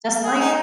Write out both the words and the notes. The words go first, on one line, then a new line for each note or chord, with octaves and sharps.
just, like,
G#4
D#4